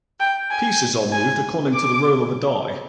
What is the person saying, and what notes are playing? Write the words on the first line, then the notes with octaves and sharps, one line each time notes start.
Pieces are moved according to the roll of a die.
G5
G#5
G#5
D6